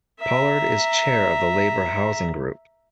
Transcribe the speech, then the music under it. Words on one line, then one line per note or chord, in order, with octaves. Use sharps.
Pollard is chair of the Labour Housing Group.
E5 A#5